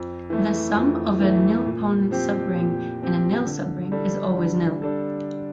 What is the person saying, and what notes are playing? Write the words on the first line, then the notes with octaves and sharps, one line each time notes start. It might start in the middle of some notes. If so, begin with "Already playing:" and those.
The sum of a nilpotent subring and a nil subring is always nil.
Already playing: F2
E3 A3
F2
E3 A3
A#2
F3 C4 G4
A#2
F3 C4 G4
D3
G3 D4 A4
D3
G3 D4 A4